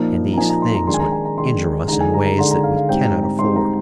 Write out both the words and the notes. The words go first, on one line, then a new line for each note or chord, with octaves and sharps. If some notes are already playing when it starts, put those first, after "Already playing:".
And these things would injure us in ways that we cannot afford.
Already playing: A#2 F3 A#3 D#4
A#5
A#2 F3 A#3 D#4 G#5
A#5
C6
A#5
D#3 G#3 D4 C6
G#5
A#5
G#5
A#5
D#3 G#3 D4 C6
D3 G#3 D#4 A#5
G#5
A#5
A#5
D3 G#3 D#4 C6
A#5
F5
F5
G#2 G3 C4 D#4 G5
A#5
A#5
G#2 G3 C4 D#4 C6
A#5